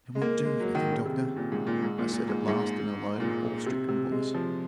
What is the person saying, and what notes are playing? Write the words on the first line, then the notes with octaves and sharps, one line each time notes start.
"Can we do anything, doctor?" I said at last in a low awe-stricken voice.
G#3
A#3
G#3
F#3
D#3
C#3
C3
A#2
G#2
A#2
G#2
A#2
A#2
G#2
G#2
A#2
C3
C3
G#3
F3